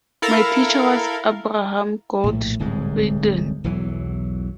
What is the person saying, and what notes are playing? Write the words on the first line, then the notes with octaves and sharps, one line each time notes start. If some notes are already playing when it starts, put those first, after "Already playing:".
My teacher was Abraham Goldfaden.
E4 A4 A#4 F5
A#1 A2
D1 C2 G#2 G#3
B1 E2 E3 F#3